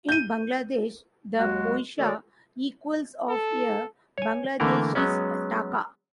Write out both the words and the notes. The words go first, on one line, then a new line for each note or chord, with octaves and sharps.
In Bangladesh, the "poisha" equals of a Bangladeshi taka.
G6 D#7
D#2 F#3 G#3 F#4
D#3 A3 F#4 A4 C#5 D5
A4
C#5 G#5
D3 E3 A3 A#3 A#4
F#3 G#3 B3 C#4